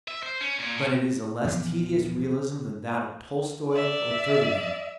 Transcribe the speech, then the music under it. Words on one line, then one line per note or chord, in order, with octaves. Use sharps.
But it is a less tedious realism than that of Tolstoy or Turgenev.
E5
C5
C#4
A#2
A2
D#1 E3 F3 B3
D5 E5